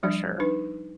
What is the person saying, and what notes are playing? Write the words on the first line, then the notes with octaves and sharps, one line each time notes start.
for sure.
F3 G3 D4 D5 E5
D4 D#4 B4